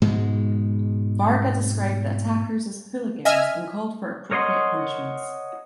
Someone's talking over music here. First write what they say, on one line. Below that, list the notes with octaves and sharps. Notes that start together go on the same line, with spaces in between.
Varga described the attackers as "hooligans" and called for appropriate punishments.
G#2 B2 G#3
D#5 E5 G#5 F6
A#4 C#5 D#5 F#5 C6